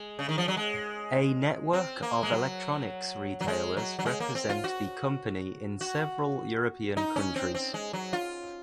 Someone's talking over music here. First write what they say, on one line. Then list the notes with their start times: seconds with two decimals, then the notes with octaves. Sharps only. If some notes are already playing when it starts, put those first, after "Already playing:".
A network of electronics retailers represent the company in several European countries.
Already playing: G#3
0.19 C#3
0.29 D#3
0.38 F3
0.48 F#3
0.57 G#3
1.73 C4
2.02 A#3
2.23 G#3
2.32 F#3
3.41 F#3
3.48 G#3
3.77 F#3
3.99 F#3
4.06 G#3
4.20 A#3
4.35 C4
4.49 F4
4.64 F#4
5.81 F#4
6.97 D#4
7.16 C#4
7.36 C4
7.54 C4
7.74 G#3
7.93 F#3
8.13 F4